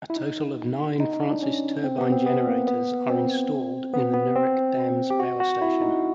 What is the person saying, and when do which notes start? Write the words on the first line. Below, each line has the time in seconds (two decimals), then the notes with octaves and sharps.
A total of nine Francis turbine-generators are installed in the Nurek Dam's power station.
0.10 E4
0.17 D#4
1.00 D#4
1.13 D#4
1.28 D4
1.43 C#4
1.84 C4
1.98 B3
2.12 C4
2.26 B3
2.47 A#3
2.67 B3
3.10 C4
3.94 B3
4.14 B3
4.35 C4
5.10 G4
5.19 F#4
5.40 F#4
5.62 E4
5.82 D#4